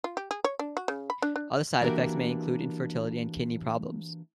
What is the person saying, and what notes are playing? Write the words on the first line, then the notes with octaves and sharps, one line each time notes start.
Other side effects may include infertility and kidney problems.
F4
G4
G#4
C#5
D4
F#4
C#3
B5
D4
D4
E3 A#3 D4 F#4 G4 A#4